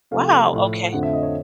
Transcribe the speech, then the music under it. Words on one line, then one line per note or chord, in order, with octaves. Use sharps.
Wow, okay.
C3 F3 A3 F5
A2 F3 A3
F2 D3 F3 A3 F#5
E5
D#5
C#5